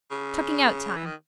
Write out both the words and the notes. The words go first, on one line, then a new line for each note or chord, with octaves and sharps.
Chuckingout time.
C#3
E3
D#3